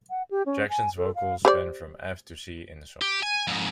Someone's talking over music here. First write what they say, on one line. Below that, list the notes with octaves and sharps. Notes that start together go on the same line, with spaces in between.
Jackson's vocals span from F to C in the song.
F#5
G4
C#4
G#5
A4
F5
G4 C5 D5
G4
G#5
F2 G#2